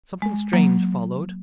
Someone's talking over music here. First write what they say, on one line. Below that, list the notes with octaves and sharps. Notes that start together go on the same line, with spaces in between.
Something strange followed.
G#3
F#3 A#3